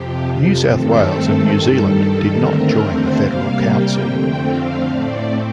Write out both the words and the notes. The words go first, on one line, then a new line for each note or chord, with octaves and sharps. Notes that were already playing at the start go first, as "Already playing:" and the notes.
New South Wales and New Zealand did not join the Federal Council.
Already playing: F2 C3 F3 G4
G2 D#3 A3 C4 A4
G2 D#3 G3
D#2 D3 A3 C4 A#4
C5
C3 G3 A#3 F5
G5
F2 D3 A3 C4 G5
F5
A2 A3 C4 D5